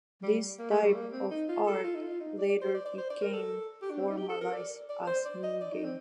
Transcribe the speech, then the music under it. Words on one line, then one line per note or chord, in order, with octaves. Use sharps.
This type of art later became formalised as "Mingei".
G3
A#3
A3
G3
A#3
C4
D#4
F4
A4
F4
D#4
F4
D#4
D5
D5
C5
D5
D5
C5
D5
A#4
A4
G4
D4
C4
D#4
G4
A4
A#4
D5
D5
C5
D5
D#5
D5
D#4
C4